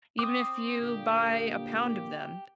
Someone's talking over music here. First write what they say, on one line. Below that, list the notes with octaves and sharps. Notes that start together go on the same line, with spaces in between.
even if you buy a pound of them.
C4 D6 D#6
A#2 D3 A#3 G4